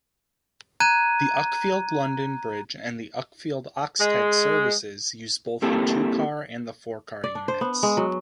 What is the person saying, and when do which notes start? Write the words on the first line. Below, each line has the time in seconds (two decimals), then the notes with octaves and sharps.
The Uckfield-London Bridge and Uckfield-Oxted services use both the two-car and the four-car units.
0.80 A#5 F#6 G#6 D#7
4.00 G#3
5.62 A#3 C4 E4 G4 A4
7.24 D5
7.35 D4
7.48 C5
7.61 B3
7.83 G#3
7.97 F#3